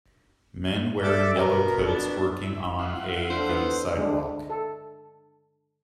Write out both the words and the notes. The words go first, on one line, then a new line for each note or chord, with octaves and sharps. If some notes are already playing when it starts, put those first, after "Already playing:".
Men wearing yellow coats working on a the sidewalk.
A4 D5 E5 D6
B2 A#4
D4
E4
E4 F4 F#5
D4 A4 C5
B3
D3 G#3 D4
A4